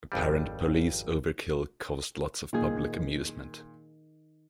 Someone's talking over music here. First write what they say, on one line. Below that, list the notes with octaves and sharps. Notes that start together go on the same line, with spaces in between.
Apparent police overkill caused lots of public amusement.
G#1 F2 G3
A#2 D#3 G#4